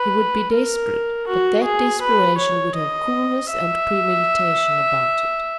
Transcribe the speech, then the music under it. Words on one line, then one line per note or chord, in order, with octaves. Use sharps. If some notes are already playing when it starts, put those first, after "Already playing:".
He would be desperate; but that desperation would have coolness and premeditation about it.
Already playing: B4
A#4
F#4
G#4
B4
C#5
D#5
E5